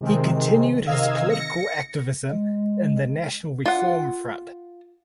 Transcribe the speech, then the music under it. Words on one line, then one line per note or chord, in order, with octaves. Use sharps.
He continued his political activism in the National Reform Front.
C3 D#3 G#3 C4
C3 D#3 D#5 F5 E6 G#6
A#6 C#7
G#3
F4 F#5